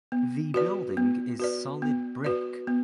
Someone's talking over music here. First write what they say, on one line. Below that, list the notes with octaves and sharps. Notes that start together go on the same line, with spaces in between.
The building is solid brick.
B3
F#4 B4 D5
B3
F#4 B4 D5
B3
F#4 B4 D5
B3